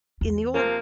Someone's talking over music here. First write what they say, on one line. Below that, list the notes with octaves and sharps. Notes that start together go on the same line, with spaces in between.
in the old,
E2
C3 F3 A#3